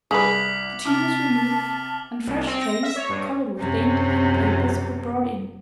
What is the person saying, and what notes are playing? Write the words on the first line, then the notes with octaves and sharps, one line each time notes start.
The tea was removed, and fresh trays, covered with dainty pink papers, were brought in.
C2 G#4 B4 D6 B6 F#7
C3 A5 D6 F6
C2
C4
A#6
E5
C#5
G2
F#2 C3